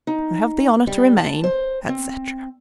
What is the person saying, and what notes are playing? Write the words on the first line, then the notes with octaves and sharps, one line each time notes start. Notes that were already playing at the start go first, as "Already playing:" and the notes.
I have the honour to remain, etc.
D#4
G3
A5
C5
C4